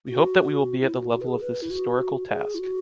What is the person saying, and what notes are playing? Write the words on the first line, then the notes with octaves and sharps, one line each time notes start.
We hope that we will be at the level of this historical task.
F#4
E4
F#4
F#4
B4
G#4
B4
E4
F#4
G#4
E4
F#4